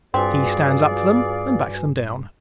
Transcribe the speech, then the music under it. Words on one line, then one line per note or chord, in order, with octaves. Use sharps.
He "stands up to them" and backs them down.
G2 C4 F4 F#4 G#4 B4 D5 G#5